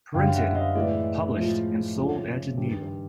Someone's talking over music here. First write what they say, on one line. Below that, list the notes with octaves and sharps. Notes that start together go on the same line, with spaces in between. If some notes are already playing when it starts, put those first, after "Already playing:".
Printed, published and sold at Geneva.
F#2 D3 G3 F5 G5
E5 F#5
D#5 F5
A2 E3 G#3 D5 E5
A2 F3 G#3
C#2 C#3 F3
G2 D#3 G3